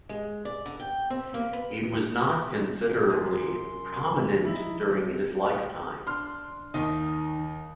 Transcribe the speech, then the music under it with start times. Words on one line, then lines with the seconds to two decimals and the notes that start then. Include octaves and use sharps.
He was not considerably prominent during his lifetime.
0.09 G#3
0.45 D5
0.66 D3
0.80 G5
1.10 C4
1.34 A#3
1.53 B4
3.10 F#2 C6
4.45 F3 D#4 E4
6.07 D4 C6 F6
6.74 D#2 D#3 D#4 D#6